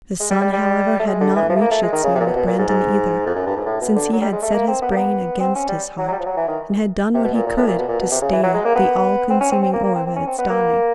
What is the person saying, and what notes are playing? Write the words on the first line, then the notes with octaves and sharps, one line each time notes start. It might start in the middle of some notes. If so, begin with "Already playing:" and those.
The sun, however, had not reached its noon with Brandon, either; since he had set his brain against his heart, and had done what he could to stay the all-consuming orb at its dawning.
G#3
G3
G3
G3
A3
G#3
D3
E3
F3
A3
A#3
A3
G#3
D#3
C#3
C3
A#2
B2
B2
A#2
G#2
G#2
F2
F#2
G2
G#2
A2
B2
D3
F#3
G3
G#3
A3
A#3
C4
B3
A#3
B3
C4
C#4
G3
F#3
F#3
G3
F3
F#3
E3
D#3
C3
B2
A#2
A#2
A2
A#2
B2
A#2
B2
C3
C#3
E3
F#3
G#3
A#3
B3
C4
C#4
C4
C4
A#3
A#3
C4
C4
C#4
C4
B3
A#3